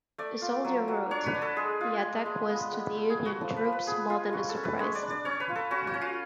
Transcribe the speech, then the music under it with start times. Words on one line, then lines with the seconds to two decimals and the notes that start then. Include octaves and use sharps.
A soldier wrote, The attack was to the Union troops more than a surprise.
0.18 A3 D5
0.42 F4
0.65 F#3
0.88 F#3
1.11 D4 C#5
1.26 B4
1.34 D4
1.42 A4
1.56 G#3 G#4
1.81 F4
2.03 G#3
2.26 G#3
2.49 B3
2.73 B3
2.95 A3
3.10 G#4
3.18 A3
3.25 F#4
3.41 F3 A4
3.56 B4
3.65 F3
3.72 B4
3.87 B3 G#4
4.10 G#3 F4
4.33 C#4 F#4
4.49 A4
4.57 C#4
4.63 B4
4.79 G#3 C#5
4.95 D5
5.02 D4
5.10 D5
5.25 C#4 C#5
5.40 B4
5.49 F4
5.55 A4
5.71 C#4 F#4
5.87 F#4
5.94 C#4
6.01 F4